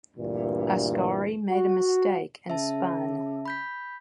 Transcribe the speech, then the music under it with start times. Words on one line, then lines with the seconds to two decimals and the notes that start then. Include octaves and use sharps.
Ascari made a mistake and spun.
0.17 D2 G2 A#2 E3
1.49 F#4
2.50 C#3 E5 A5
3.46 B5 G6 B6